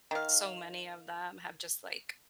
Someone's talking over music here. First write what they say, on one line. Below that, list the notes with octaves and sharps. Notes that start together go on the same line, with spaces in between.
so many of them have just, like
D#3 F5